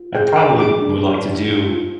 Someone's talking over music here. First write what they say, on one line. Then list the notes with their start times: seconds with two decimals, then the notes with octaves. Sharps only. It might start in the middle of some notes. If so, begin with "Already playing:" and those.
I probably would like to do
Already playing: F4
0.15 G#4 G5
0.37 D#4 D6
0.59 G#4 D6
0.80 D4
1.03 D4
1.25 D4
1.47 F4
1.69 F4